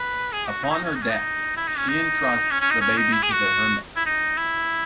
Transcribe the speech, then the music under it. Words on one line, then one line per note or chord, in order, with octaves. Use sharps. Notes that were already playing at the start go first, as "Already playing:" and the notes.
Upon her death, she entrusts the baby to the hermit.
Already playing: B4
G#4
F#4
D#4
E4
D#4
C#4
D#4
C#4
D#4
E4
D#4
C#4
D#4
C#4
C#4
D#4
C#4
D#4
E4
G#4
F#4
E4
D#4
E4